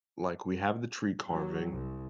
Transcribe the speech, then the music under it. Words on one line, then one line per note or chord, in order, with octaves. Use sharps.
like, we have the tree carving.
F#3
C2